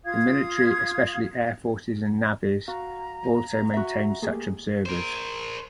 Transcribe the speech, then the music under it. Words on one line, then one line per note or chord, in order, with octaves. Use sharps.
The military, especially air forces and navies, also maintains such observers.
F4 F5 D#6 G#6
F#4 F5 A#5
F#4 E5
A3 A#3 G4 G#4
A#4 C5